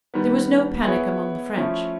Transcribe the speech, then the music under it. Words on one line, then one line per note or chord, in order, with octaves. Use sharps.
There was no panic among the French.
D#3 G3 B3
B3 E4 G#4 C#5
F3 A3 C#4 E4